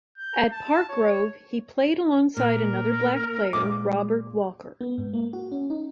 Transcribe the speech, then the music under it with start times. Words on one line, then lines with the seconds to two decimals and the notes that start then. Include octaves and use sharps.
At Parkgrove he played alongside another black player, Robert Walker.
0.18 G6
0.52 A5
0.89 C#5
2.37 A#2 A#3 A#4
3.53 A#2 G#3 D6
4.81 B3
4.98 G#2
5.14 A#3
5.33 F#4
5.52 C#4
5.70 D#4